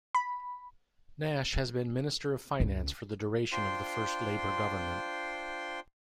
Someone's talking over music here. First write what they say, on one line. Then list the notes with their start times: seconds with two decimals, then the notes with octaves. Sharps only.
Nash had been Minister of Finance for the duration of the first Labour government.
0.15 B5
2.60 C#2
3.52 D4 F4 C5 G5 C6